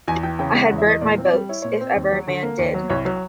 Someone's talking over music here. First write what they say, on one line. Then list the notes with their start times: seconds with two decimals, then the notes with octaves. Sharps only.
I had burnt my boats — if ever a man did!
0.08 E2 G#5
0.23 E3 G5
0.39 C#3 G5
0.54 G#3 G5
0.66 F#5
0.71 E2
0.78 E5
0.86 E3 D#5
1.01 A#2 D5
1.18 C4
1.25 D5
1.33 G3
1.49 E4 C#5
1.62 A#2 C#5
1.73 C5
1.81 C4
1.96 D#2
2.11 F#3
2.28 D3
2.43 A#3
2.59 D#2
2.74 F#3
2.89 C2 C#5
3.05 F#3